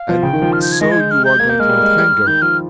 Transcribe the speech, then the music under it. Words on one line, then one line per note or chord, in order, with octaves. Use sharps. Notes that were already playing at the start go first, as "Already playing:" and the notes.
And so you are going to Northanger!
Already playing: F5
F3
C#3 G5
D#3
F3
F6
G6
G#6
G#3 A#6
G#6
G6
F6
G6
A#3 G#6
A#3 G6
G#3 F6
G3
G#3
G3
D#3 G6
F3 F6